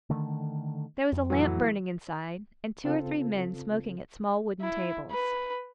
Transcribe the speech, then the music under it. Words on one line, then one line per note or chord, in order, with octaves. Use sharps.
There was a lamp burning inside, and two or three men smoking at small wooden tables.
D3 D#3 A3
F2
A2 E3 F#3
C#3 C4 F4 A4
E4
B4